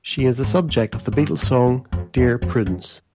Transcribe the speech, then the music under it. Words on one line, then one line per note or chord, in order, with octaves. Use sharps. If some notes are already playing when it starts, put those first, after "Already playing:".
She is the subject of the Beatles song "Dear Prudence".
G2
G#2
E2
F#2
G#2
G2
G2
F#2
F2
E2
F2
F2